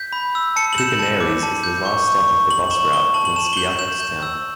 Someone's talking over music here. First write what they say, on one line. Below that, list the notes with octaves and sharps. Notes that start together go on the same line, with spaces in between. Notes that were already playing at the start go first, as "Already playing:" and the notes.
Koukounaries is the last stop of the bus route from Skiathos Town.
Already playing: G6 B6
B5
E6
A5 C#7
F#7
G6 E7
A5
D6
A5
G6
C#6
C#6
C#6
C#6 F#7
C#6 E7
C#6 G7
A5 F#7
F#7
A5 E7
G7
G6 F#7
G6 E7
G6
E6